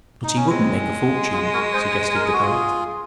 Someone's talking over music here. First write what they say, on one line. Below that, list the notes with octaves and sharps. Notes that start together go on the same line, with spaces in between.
"But he wouldn't make a fortune," suggested the Poet.
D#4
C#4
G#3 C4
F4 G#4
F#4 A#4
G#4 C5
A#4
G#4
F#4
F4 G#4